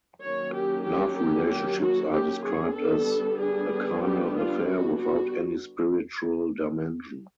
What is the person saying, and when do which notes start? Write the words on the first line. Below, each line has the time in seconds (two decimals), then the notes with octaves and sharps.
Love relationships are described as a carnal affair, without any spiritual dimension.
0.22 D#3 F#3 A#3 C#4 C#5
0.53 G4
0.86 G4
1.17 G4
1.49 G4
1.80 F#4
2.12 G4
2.44 G#4
2.76 D3 G3 B3 D4 A4
3.40 G#4
4.04 G4
4.35 F4
4.67 F#4
4.99 F#4